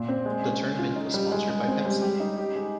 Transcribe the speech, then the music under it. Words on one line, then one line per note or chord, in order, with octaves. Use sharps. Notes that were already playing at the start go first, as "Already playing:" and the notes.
The tournament was sponsored by Pepsi.
Already playing: A#2
C4
G#3
C#4
C#4
F4
D#4
G3
G#3
G#3
C4
G3
G4
D#4
G4
G#3